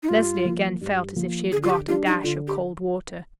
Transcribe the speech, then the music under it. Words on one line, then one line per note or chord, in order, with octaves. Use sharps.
Leslie again felt as if she had got a dash of cold water.
D#4
G2 F4
F3 A#3
G2
F3 A#3
D3 G#4
F4
G4
G3 D4 F4 G4
D#4
D3 F4
G4